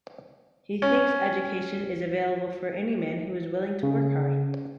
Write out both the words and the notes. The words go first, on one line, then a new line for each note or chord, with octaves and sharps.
He thinks education is available for any man who is willing to work hard.
C#4
C#3